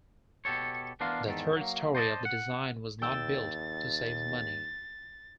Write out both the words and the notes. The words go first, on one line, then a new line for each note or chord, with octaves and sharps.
The third story of the design was not built to save money.
B2 G4 A4 C#5
E3 B3 D4 A#4 F5 C6
E2 G#2 D#3 A4
F#3 A#3
C5 D5 D#5 F#5 A5
F#5
D#2 G5 E6 A6